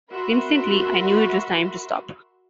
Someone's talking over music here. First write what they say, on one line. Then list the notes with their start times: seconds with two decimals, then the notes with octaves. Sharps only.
Instantly I knew it was time to stop.
0.11 F#4 A#4 E5 B5 C6